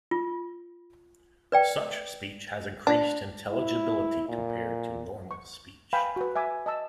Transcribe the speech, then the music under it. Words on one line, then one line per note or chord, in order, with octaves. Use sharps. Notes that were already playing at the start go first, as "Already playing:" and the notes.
Such speech has increased intelligibility compared to normal speech.
F4
B4 D5 G5
D4
E4
A#2
C#6
B4 F5 G5 G#5 B5
F#4 B4
E5 G#5 D6
D#5 A5 E6